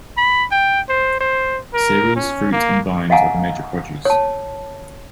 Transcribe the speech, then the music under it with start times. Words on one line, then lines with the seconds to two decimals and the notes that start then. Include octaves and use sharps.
Cereals, fruit and vines are the major produce.
0.17 B5
0.51 G5
0.89 C5
1.21 C5
1.74 A#4
2.16 C#4
2.52 A#3
3.10 D#5 F5 F#5 G#5 A#5
4.05 C#5 A5